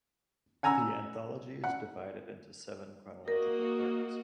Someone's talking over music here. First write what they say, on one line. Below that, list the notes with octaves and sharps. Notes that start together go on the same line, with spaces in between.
The anthology is divided into seven chronological parts.
F#5 G#5 A#5 E6
F#5
A#3 F#4 A#4 D#5